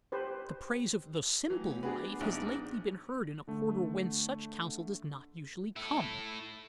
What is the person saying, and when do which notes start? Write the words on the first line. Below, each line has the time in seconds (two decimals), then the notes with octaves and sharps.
The praise of "the simple life" has lately been heard in a quarter whence such counsel does not usually come.
0.12 G4 B4 C5
1.50 E3 F#3 A3 B3 G4
1.83 D4 F#4 G#4 B4
2.20 A#1 B3 D4 D#4
3.47 D3 A3
5.76 E4 A4